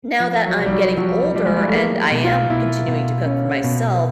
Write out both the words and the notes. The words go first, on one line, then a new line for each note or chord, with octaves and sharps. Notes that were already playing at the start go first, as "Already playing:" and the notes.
now that I'm getting older and I am continuing to cook for myself,
F3
F#3
C2
G3
F#3
F3 F#3
F3 G3
G#3
G3
A3
G#3 A#3
B2
F4
B2 E4
B2
C#4
B2